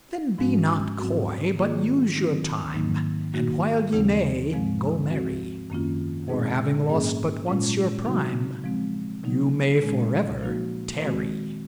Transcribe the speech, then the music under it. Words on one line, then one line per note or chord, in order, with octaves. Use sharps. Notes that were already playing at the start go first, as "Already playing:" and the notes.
Then be not coy, but use your time; And while ye may, go marry: For having lost but once your prime, You may for ever tarry.
G#2 F3 G#3 C#4 F#4
G#2 F#3 C4 F#4
D#3 A#3 F4 G#4
D#3 F#3 C4 D#4
G#2 D#3 F#3 A#3 D#4
D#3 A#3 D#4 F#4
D#2 C#3 F3 C4 D#4
G#2 F3 G#3 C4
F3 C4 F#4
F#2 D#3 A#3 C#4 F4
A#2 G#3 C4 D#4 G#4
G#2 F#3 A#3 C#4 G#4
A#2 G#3 C#4 F4
C#3 F#3 C4 D#4 F#4
F3 G#3 C4
C#3 F#3 A#3 D#4
A#2 G#3 C#4
F3 A#3 D#4 F#4
D#3 G#3 C4 F#4